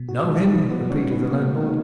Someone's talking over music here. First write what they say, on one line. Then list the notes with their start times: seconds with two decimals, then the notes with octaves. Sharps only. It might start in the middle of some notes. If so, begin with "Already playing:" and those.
"Know him!" repeated the landlord.
Already playing: B2
0.09 F#4
0.24 G#3
0.39 D#4
0.55 B2
0.70 B3 F#4
0.86 G#3 C#4
1.00 D#4
1.10 B3
1.16 B2
1.30 A#3 F#4
1.46 G#3
1.61 D#4